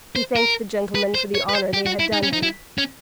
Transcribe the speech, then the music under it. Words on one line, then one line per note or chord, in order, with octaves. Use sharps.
He thanked the gentlemen for the honor they had done him.
C5
A#4
B4
C5
C#5
B4
C5
G4
F#4
E4
D#4
C#4
D#4
E4
C#4